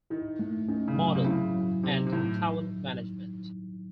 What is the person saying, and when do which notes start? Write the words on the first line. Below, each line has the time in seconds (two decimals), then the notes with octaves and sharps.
Model and Talent Management.
0.10 D#3 E4
0.39 A3
0.69 D#3 C#4
0.88 C#3
0.97 F#3
1.07 C#3
1.15 C3
1.24 C#3 E4
1.54 F#3
1.83 C3 D#4
2.06 C3
2.12 A2 D#3